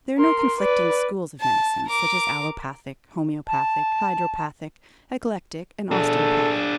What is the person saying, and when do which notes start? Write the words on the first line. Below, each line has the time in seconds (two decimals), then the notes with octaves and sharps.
There are no conflicting schools of medicines such as Allopathic, Homeopathic, Hydropathic, Eclectic and Osteopathic.
0.18 A#4 C6
0.59 B4 D5
1.40 A5
1.86 A#4 D6
3.47 A5
5.92 D4 G#4 A4